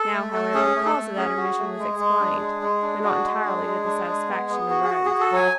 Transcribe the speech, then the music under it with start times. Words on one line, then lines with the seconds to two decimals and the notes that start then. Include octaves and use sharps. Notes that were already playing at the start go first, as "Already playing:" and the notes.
Now, however, the cause of that omission was explained, though not entirely to the satisfaction of Rose.
Already playing: A4
0.13 A3
0.33 A3
0.54 C#4 G#4
0.76 A3
0.85 A4
0.96 A3
1.17 C#4 G#4
1.37 F#4
1.59 A3
1.79 G#3
1.99 G#3
2.20 D4
2.41 G#3
2.62 G#3
2.82 D4
3.03 F#4 G#4
3.24 G#3
3.44 D4
3.66 G#3
3.86 D4
4.08 G#3
4.28 B3
4.49 B3
4.70 F#4
4.84 G#4
4.90 F#4
5.05 G#4
5.11 F#4
5.21 A4
5.32 F#3 G#5